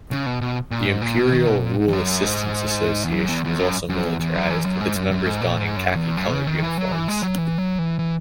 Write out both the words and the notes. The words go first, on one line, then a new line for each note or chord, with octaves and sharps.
The Imperial Rule Assistance Association was also militarized, with its members donning khaki-colored uniforms.
C#3
B2
B2
A#2
G#2
A#2
B2
D#3
B2
A#2
G#2
E2
F#2
G#2
E2
F#2
E2
E2
F#2
F#2
E2
E2
F#2
E2
F#2
G#2
F#2
F#2
G#2
A#2
G#2
F#2
E2
F#2
C#3
D#3
E3
F#3
E3
G#3
F#3
E3
F#3
E3
E3